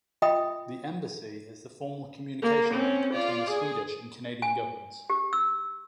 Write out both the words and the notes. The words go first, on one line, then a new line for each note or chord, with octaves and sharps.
The embassy is the formal communication link between the Swedish and Canadian governments.
F4 D#5 E5 G5 B5 D#6
A#3
C4 C#4
F4 D5
G#4
G#5
G4
E6